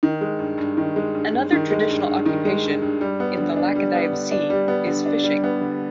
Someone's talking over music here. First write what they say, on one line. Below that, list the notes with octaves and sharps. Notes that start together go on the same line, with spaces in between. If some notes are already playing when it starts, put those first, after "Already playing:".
Another traditional occupation in the Laccadive Sea is fishing.
D#3
G#3
G2
G2
D#3
G#3
G2
G2
D#3
G#3
G2
G2
D#3
G#3
G2
G2
G3
B3
D3
D4
G3
B3
D3
D4
G3
B3
D3
D4
G3
B3
D3